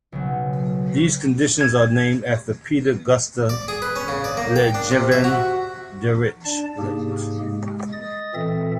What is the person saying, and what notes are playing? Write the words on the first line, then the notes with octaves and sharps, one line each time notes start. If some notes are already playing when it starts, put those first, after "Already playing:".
These conditions are named after Peter Gustav Lejeune Dirichlet.
B1 C#3 F#3
G#6
D5
G#4
B4
C#4
C#3
D5
A#3
G5
D4
C3
E5
F#4
D4 D5 A5
G#2 C3 A#3 G4 G#4
G#3
D#5 D#6 A6
A#2 E3 C4 A4 E5